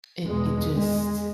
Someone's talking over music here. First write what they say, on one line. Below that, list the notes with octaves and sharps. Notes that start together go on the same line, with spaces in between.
it it just
E2 B2 G#3
G#3